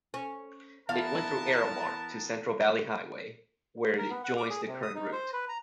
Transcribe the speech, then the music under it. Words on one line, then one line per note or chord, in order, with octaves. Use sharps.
It went through Earilmart to Central Valley Highway, where it joins the current route.
C#4
E2 B3 A#4 F5 A5
A#4
B3
F#5
D6
G#4
C3
D#6
D#4
C5
B4
A#5